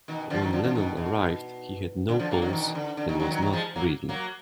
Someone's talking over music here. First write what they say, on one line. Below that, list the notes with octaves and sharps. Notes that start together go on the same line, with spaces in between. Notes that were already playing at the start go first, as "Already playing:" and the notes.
When Lennon arrived, he had no pulse and was not breathing.
B2 D#3
D3 F3
D#3 F#3
D3 F3
D3 F3
B2 D#3
B2
D3
D3 F3
F#3 A#3
D#3 F#3
F3
B2 D#3
D#3
D3
D3
B2 D#3
D#3 F#3
D#3 F#3
D#3 F#3
F3 G#3
F#3 A#3
F#3 A#3